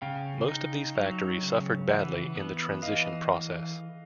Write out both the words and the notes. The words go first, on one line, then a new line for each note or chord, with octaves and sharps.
Most of these factories suffered badly in the transition process.
C#3 F5 G5
D#4
F#3
C#3
E3 E5 F#5
B3
E3 D#5 F5